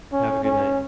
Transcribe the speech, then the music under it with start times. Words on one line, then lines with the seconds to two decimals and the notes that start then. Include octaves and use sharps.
Have a good night.
0.13 C#4
0.45 C#4